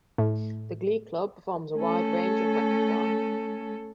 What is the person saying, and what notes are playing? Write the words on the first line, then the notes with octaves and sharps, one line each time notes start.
The Glee Club performs a wide range of repertoire.
A2
A3 C#4 A4